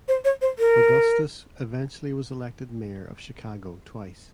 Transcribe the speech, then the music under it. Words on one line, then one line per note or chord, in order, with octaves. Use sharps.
Augustus eventually was elected mayor of Chicago twice.
C5
C#5
C5
A#4